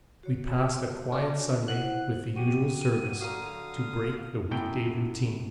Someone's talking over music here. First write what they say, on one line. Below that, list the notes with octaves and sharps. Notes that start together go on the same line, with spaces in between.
We passed a quiet Sunday with the usual Service to break the week-day routine.
F#4 C#5
C#4 D4
E4 C5 F#5 F#6
F#3 F#4 G4 D#7
D3 F#4 A#4 F5 D#6
F#2 A2 G5